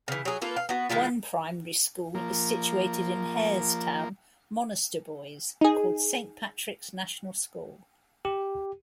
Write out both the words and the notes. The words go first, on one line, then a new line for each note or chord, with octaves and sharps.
One primary school is situated in Harestown, Monasterboice called Saint Patrick's National School.
C#3 E3
F#3 G#4
A#3 F4 A4 B4
F5
B3 F#4
D#3 G#3 E4 F4
F3 A#3
D#4 G#4
G4